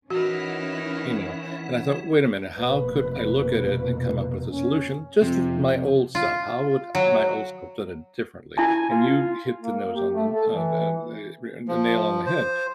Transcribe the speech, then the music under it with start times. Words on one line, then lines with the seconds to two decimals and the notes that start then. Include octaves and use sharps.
You know? And I thought, "Wait a minute. How could I look at it and come up with a solution? Just th my old self, how would my old self done it differently?" And you hit the nose on the, uh uh the re the nail on the head,
0.10 E3 C#4 D#4 E4 F#4 A#4 B4 F#5
2.56 F1 B2 A#3 B4
4.49 C#4
5.22 F2 C3
6.15 F4
6.95 F#3
8.58 E4 G#5 A5
8.90 F4
9.62 A#3
9.96 G4
10.14 A3
10.34 A4
10.54 E3
11.68 F3
12.26 C5